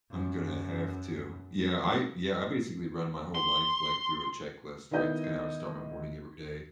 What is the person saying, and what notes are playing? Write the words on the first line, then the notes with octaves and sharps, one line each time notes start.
I'm gonna have to. Yeah, I yeah, I basically run my whole life, like, through a checklist, right, it's kinda how I start my morning every day,
F#2
C6
D#3 B3 E4 D#5 G6